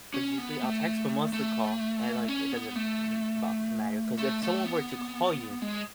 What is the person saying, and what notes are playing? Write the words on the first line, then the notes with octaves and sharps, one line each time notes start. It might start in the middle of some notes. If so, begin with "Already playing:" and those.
but usually, I'll text, but mostly call, and, like, it doesn't m bo matter, 'cause if someone were to call you,
C#4
B3
A3
A3
C#4
B3
A3
A3
A3
B3
G#3